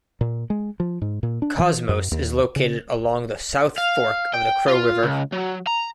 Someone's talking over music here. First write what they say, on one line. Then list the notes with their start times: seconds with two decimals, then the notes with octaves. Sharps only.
Cosmos is located along the South Fork of the Crow River.
0.21 A#2
0.50 G#3
0.80 F3
1.02 G#2
1.23 A#2
1.42 D4
1.59 E3
1.89 F#2
2.11 D#2
2.56 C#3
3.78 F5
4.34 G5
4.68 F4
5.03 C#2
5.33 F#3
5.67 A#5